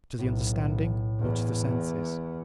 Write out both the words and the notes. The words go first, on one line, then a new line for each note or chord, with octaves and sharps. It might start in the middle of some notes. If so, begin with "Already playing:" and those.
To the understanding or to the senses?
B1 A2
E2